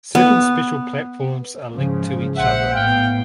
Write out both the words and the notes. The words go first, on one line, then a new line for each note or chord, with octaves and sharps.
Certain special platforms are linked to each other.
B3
G#2 C#3 F3
A#1 C5 E5 F#5
A2 B3 F5 G5